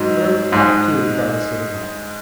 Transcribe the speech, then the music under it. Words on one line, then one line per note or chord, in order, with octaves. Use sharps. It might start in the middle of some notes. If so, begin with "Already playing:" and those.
"Where are you off to?" cried Semyon.
Already playing: G#2 F#3
G#2 G#3